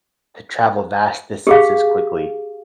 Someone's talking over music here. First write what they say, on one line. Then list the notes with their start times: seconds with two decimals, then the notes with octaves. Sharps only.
to travel vast distances quickly.
1.47 G4 G#4 F5